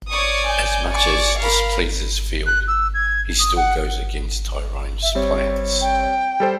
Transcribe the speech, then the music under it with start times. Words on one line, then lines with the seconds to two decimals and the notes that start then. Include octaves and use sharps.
As much as this pleases Field, he still goes against Tyronne's plans.
0.12 C#5 D5 C#6 D#6
0.49 G#5 G6
0.93 D5 G#5 C#6
1.39 A#4 F5 B5
2.46 F#6
2.68 E6
2.94 G#6
3.39 D#6
3.56 F#5
5.02 E5
5.15 G3 C4 C#5
5.81 G5
6.40 G3 A4 C5